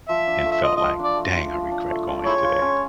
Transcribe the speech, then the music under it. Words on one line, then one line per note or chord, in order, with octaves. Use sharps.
and felt like, "Dang, I regret going today."
F3 E5
D4
A3
E5
F4 D#5
F3 D#5
D4 D5
A3
F4
F3
D4
A3
F4
G#3 E4 C#5
F4
C#4